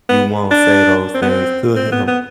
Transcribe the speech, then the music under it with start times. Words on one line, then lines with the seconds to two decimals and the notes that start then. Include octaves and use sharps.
you won't say those things to him,
0.09 B3
0.51 D4
1.14 C4
1.22 B3
1.29 C4
1.76 C4
1.92 B3
2.08 B3